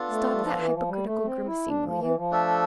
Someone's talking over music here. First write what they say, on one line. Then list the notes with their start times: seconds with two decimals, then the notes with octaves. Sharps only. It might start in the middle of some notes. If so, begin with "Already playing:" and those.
Stop that hypocritical grimacing, will you.
Already playing: B3 D4 F4 A4
0.09 A3
0.31 G3
0.40 F3
0.57 E3
0.73 F3
0.88 G3
1.04 A3
1.25 C4
1.47 E4
1.68 D4
1.83 F3
1.99 E3
2.15 F3
2.31 A3 D4 A4 E5